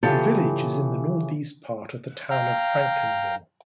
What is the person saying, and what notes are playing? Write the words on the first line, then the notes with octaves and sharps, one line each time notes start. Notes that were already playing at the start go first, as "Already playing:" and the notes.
The village is in the northeast part of the town of Franklinville.
C#3 E3 C#4 F4 G4 A4
F5 G5 A#5